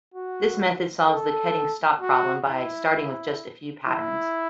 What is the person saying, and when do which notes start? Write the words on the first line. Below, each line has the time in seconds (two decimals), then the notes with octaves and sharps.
This method solves the cutting-stock problem by starting with just a few patterns.
0.14 F#4
1.08 A4
2.01 F#4
2.48 E4
3.87 E4